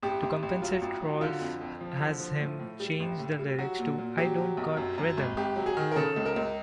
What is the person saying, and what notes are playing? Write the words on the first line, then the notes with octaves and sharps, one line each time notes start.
To compensate Rowlf has him change the lyrics to "I don't got Rhythm".
A1 G4
A1
A1
F#3 F4
A1
F#3
D3 F4
F2
F2
F3
D3
F3
A2
A2
G3
A1
A2
G3
F#3 F#4
A#2
A#2
F#3 G4
F#3
B1
F#2
F#2
G#1
G#1 G4
F#3
G#4
D#3
A#4
C#3 A4
C#2
A#4
C#2